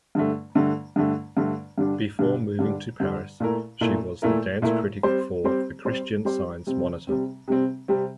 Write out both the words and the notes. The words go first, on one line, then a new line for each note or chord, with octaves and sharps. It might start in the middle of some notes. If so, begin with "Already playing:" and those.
Before moving to Paris she was the dance critic for "The Christian Science Monitor".
G2 D3 A3
G2 D3 A3
G2 D3 A3
G2 D3 A3
G2 D3 G3 D4
G2 D3 G3 D4
G2 D3 G3 D4
G2 D3 G3 D4
A#2 A3 E4 A#4
A#2 A3 E4 A#4
A#2 A3 E4 A#4
A#2 A3 E4 A#4
G3 C4 G4 C5
G3 C4 G4 C5
G3 C4 G4 C5
G3 C4 G4 C5
C3 G3 C4
C3 G3 C4
C3 G3 C4
C3 G3 C4